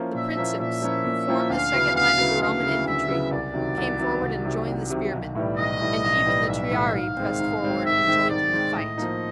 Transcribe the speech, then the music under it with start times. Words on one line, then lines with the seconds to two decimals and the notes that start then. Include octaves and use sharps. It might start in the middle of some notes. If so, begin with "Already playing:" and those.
The principes, who formed the second line of the Roman infantry, came forward and joined the spearmen, and even the triarii pressed forward and joined in the fight.
Already playing: F3 A#3 C#4 E4
0.14 A#2 E5
0.37 F3 A#3 C#4 E4
0.60 A#2 E5
0.82 F3 A#3 C#4 E4
1.04 A#2
1.28 F3 A#3 C#4 E4
1.50 D2 F5
1.72 C#3 F#3 B3 E4
1.96 D2 F5
2.18 C#3 F#3 B3 E4
2.41 D2 F5
2.63 C#3 F#3 B3 E4
2.86 D2 E5
3.08 C#3 F#3 B3 E4
3.31 C2 D5
3.54 C3 D#3 F#3
3.77 C2
3.99 C3 D#3 F#3
4.22 C2
4.45 C3 D#3 F#3
4.67 C2
4.90 C3 D#3 F#3
5.12 B1
5.35 A2 E3 G3
5.58 B1 D#5
5.81 A2 E3 G3
6.04 B1
6.26 A2 E3 G3
6.48 B1 E5
6.71 A2 E3 G3
6.93 G#2 F5
7.17 D#3 G#3 C4
7.39 G#2
7.62 D#3 G#3 C4
7.85 G#2 E5
8.07 D#3 G#3 C4
8.29 G#2 D5
8.53 D#3 G#3 C4
8.75 A2 D#5
8.98 F3 A#3 D#4